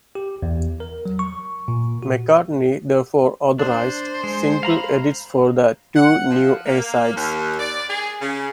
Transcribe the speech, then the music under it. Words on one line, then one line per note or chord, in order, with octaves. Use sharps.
McCartney therefore authorised single edits for the two new A-sides.
G4
E2
A#4
F#3
C#6
A#2
F#4
D4 C5
G#3
F5 A#5 B5
F#5
F3
A#3
D#2
D5
G#4
C#3